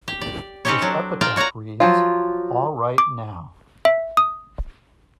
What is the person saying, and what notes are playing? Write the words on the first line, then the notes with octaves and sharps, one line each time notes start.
His epitaph reads "All Right Now".
G4
D5
C4 C#4 D#4 G4 A4 C#5
F#3 D4
F4 A#4 D5 G5 A5
F#4 C#5 D5 F#5 A#5
F3 F#3 F4
D6
E5
D#6